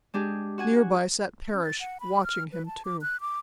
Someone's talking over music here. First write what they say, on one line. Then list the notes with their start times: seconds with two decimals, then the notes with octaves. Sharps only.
Near by sat Parrish, watching him too.
0.14 G#3 D4 G4 G#4
0.58 F#4 F#5 G#5
1.54 C#4
1.65 A6
1.80 F#5
2.00 B5
2.24 F6
2.52 B4
2.66 A5
2.85 D6
3.02 F#6
3.21 D6